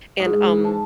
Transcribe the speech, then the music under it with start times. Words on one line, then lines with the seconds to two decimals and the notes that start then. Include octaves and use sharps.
and, um
0.20 G#2
0.64 A5